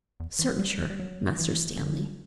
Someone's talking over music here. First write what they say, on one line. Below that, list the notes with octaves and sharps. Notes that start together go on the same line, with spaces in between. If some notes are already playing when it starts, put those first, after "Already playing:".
'Certain sure, Master Stanley.'
E2
E3
F#3
G3
G3
F#3
E3
D3